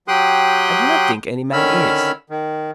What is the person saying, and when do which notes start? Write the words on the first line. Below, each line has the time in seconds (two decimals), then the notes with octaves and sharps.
I do not think any man is.
0.08 F#3 G4 G5 C6 D#6 F#6
1.53 D3 D#3 C#4 B5 E6 F6
2.30 D#3